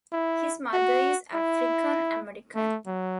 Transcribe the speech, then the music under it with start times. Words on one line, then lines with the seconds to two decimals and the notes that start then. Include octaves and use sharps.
His mother is African-American.
0.13 E4
0.73 F#4
1.34 E4
2.56 A3
2.87 F#3